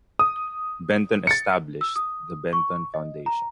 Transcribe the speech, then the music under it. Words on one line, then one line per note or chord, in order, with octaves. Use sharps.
Benton established the Benton Foundation.
D#6
A6 C#7
E6
D#6
C#6
D#5
A#5